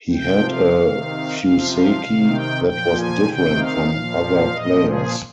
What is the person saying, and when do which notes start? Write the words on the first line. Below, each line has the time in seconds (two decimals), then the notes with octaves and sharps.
He had a fuseki that was different from other players.
0.13 C3 F3 G5
0.45 F5
0.77 C3 D#3
1.39 C3 F3 F5
1.71 F5
2.02 C3 D#3
2.33 G5
2.64 A#2 F3 G5
2.97 G#5
3.27 C3 D#3 G5
3.58 F5
3.90 A#2 F3
4.53 A#2 F3 D#5
4.84 G#4